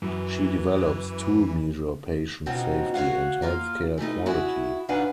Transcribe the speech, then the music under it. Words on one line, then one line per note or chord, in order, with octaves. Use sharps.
She develops tool measure patient safety and healthcare quality.
F#2 E3
B2 C4 C#4 D#4 F4 F#4
F#4 C#5 F5 F#5
A#3 F4 F5
E3 G3 A3 D#4
E4 F#4 G#4
D#3 D4 B4 F5 F#5 G#5